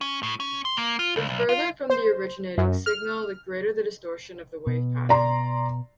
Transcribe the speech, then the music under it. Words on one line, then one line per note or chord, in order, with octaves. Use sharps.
The further from the originating signal, the greater the distortion of the wave pattern.
C#4
A2
C#4
C6
A#3
F4
C#2
B1
F4
C5
F#2
F6
B2
D5 A#5 C6